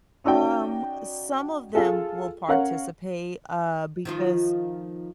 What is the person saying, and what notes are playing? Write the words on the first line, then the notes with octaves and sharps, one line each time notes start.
Um, some of them will participate, uh, because
C#4 D#4 F#4 D5 G5
F4 G#4 A4
C#4 A#4 C#5 F5 F#5
D#3 F3 F4